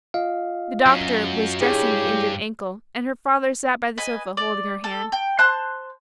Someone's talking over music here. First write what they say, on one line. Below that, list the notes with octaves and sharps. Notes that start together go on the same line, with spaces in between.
The doctor was dressing the injured ankle, and her father sat by the sofa holding her hand.
F4 D#5 F5
F#2 F#3
G2 E4 G4 G#4 C#5
B4 D#5 G#5
D5
A4
G5
C5 A5 C6 F#6